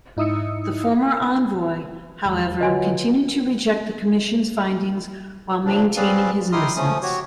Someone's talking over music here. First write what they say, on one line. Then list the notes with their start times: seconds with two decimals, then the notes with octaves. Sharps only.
The former envoy, however, continued to reject the Commission's findings while maintaining his innocence.
0.17 G#2 D#4 E4 D#6 E6 C#7
2.25 E2 E3 G#3
2.61 D3 F#3 F4 B4 D#5 G#5 C6
5.65 A#2 C#3 F3 D4
5.96 C4 C#4 G#4 B4 D5 F5
6.52 D#4 E4 G4 C6 D#6 F6
6.76 F3 A3 C#4 D#6
7.03 F#4 G4 C#5